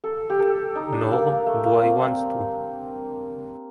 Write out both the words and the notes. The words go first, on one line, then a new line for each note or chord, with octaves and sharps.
Nor do I want to.
A4
G4
A4
D#4
D4
A#3
A#3
A3
A#3
C4
C4